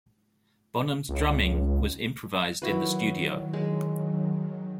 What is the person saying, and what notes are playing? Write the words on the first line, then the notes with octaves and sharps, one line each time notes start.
Bonham's drumming was improvised in the studio.
C#2
D#3 F#3 E4 F#4 B4
G#3